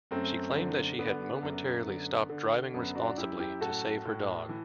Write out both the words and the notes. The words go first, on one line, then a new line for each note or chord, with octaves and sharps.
She claimed that she had momentarily stopped driving responsibly to save her dog.
F#2 A3 C4
D3
D3 B3
F#2
D3
D3
F#2 B3
D4 F#4
F#2 E4 G4
E4 G4
A2 F#4 A4
A2
E3